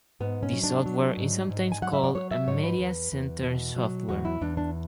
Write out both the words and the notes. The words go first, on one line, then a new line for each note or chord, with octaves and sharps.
The software is sometimes called "Media Center Software".
G#2 B3
C#4
F#3
D4
F#3
G#2
G#2
G#5
F#3 F#5
E5
D5
F#3 C#5
E5
G#2 C#5
B4
E2
E2
B2
F#3
E2 F#4
E4
E2 D4
D4